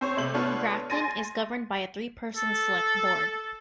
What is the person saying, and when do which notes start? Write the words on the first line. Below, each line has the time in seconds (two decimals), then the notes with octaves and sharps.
Grafton is governed by a three-person select board.
0.01 C4 C5 C#5
0.17 C3 A3 G6 F#7
0.34 B3 D4 F4 A4 C#5
0.90 G#5 C6 A6 A#6 D#7
2.37 A4